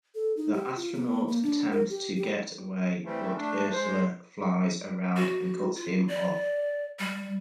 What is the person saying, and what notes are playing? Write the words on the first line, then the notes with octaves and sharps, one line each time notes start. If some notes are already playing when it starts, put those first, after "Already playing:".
The astronaut attempts to get away, but Ursa flies around and cuts him off.
A4
D#4
G4
F4
B3
A#3
D4
A#4
G4
G4
E3 G3 A3 C4
A3 D4
G#3 C5
F#4
F4
D5
G3